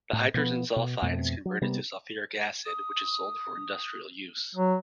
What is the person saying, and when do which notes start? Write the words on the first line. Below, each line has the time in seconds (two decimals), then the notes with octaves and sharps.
The hydrogen sulphide is converted to sulphuric acid which is sold for industrial use.
0.13 A2
0.34 B2 F3 B3
0.76 B2
1.02 F2 B2 A3 C4
1.45 F#3
1.61 C3 G3 A#3 B3
2.66 D#6
4.55 F#3